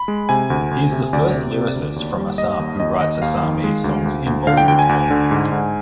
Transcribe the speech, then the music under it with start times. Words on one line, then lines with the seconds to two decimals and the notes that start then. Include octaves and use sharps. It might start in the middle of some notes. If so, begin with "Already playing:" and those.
He is the first lyricist from Assam who writes Assamese songs in Bollywood film.
Already playing: B5
0.08 G#3
0.29 C3 G#5
0.50 D2
0.71 D2
0.92 C3
1.13 D2 D5
1.34 C3
1.54 C3
1.76 D2
1.96 D#2
2.17 G3
2.38 D#2 D#5
2.59 D#2
2.80 D#2 D#5
3.01 D#3 D#5
3.22 D#2 F5
3.43 D#3
3.64 G#3
3.84 D2
4.06 D2
4.26 D2
4.47 D3 F5
4.57 G5
4.68 D2 G5
4.79 G#5
4.89 D2
5.10 D3
5.31 G#2
5.52 G#2